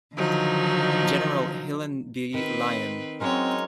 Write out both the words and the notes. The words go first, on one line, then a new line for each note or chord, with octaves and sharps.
General Hylan B. Lyon.
D3 D#3 F3 F#3 D#4
D#3 C4 B4
F#3 G#3 C4 C#4 D#4 A#4 C5 C#5